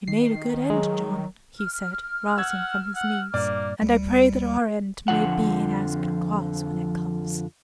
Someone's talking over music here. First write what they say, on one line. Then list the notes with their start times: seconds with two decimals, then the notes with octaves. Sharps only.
'He made a good end, John,' he said, rising from his knees, 'and I pray that our end may be in as good cause when it comes.
0.08 D#3 C7
0.70 F#3 G#3
1.56 F6
2.38 F#5 E6 G#6
2.96 F#5
3.34 G2 A#2 A#3 D5
3.82 D2 G3
5.08 F2 D3 D#3 F3 F#5